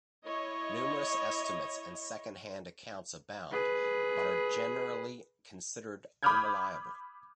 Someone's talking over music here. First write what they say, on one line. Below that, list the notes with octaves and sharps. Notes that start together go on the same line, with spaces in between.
Numerous estimates and second-hand accounts abound, but are generally considered unreliable.
E4 C#5 D#5
G#4 B4
B5 D6 D#6 F6 G6 G#6